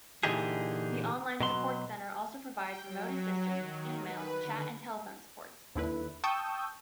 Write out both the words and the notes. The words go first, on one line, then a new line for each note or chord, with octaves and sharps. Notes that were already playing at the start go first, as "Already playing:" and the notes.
The online Support Center also provides remote assistance, email, chat and telephone support.
A#2 D3 E3 D#4 G4 G#4
B2 F#3 C6
G5
F#3
F#3
D#3
B4
D3
D#2 D3 E4 B4
G5 A5 C#6 D#6 E6 G6